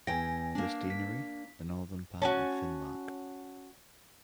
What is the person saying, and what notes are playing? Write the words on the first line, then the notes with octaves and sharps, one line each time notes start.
This deanery the northern part of Finnmark.
E2 G5 G#5 A#6
A#3 D4
B6
C#4 F#4 G#5 A5